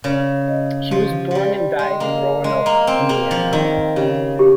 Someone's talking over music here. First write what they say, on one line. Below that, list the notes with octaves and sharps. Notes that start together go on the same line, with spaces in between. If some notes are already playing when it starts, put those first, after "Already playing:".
He was born and died in Roanoke, Indiana.
C#3 A#4
D#5
F3 G4
F3 G3 G4
G#3 G5
A#3
G#4
G#3
A#3 A#5
C4
A#3 G#4
F3
D#3 A#4
C#3 G4
G4